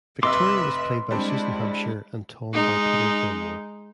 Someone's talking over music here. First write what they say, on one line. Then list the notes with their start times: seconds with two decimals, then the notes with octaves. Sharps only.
Victoria was played by Susan Hampshire and Tom by Peter Gilmore.
0.23 F1 B4 D#5 E5 C6 D6 E6
1.11 G3 G#3 C4 D4 E4
2.54 G#3 D#4